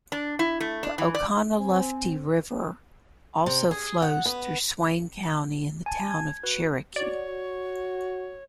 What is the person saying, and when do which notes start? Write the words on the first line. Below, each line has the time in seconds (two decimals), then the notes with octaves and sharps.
The Oconaluftee River also flows through Swain County in the town of Cherokee.
0.12 D4
0.39 E4
0.60 A3
0.83 D4
0.98 E3
1.15 D5
1.60 C4 G#5
3.46 C3
3.71 G#4
4.02 F#5
4.26 B3
5.86 G#5 A5
6.11 G#6
6.43 F#4 B4
6.96 F#4 C#5 D5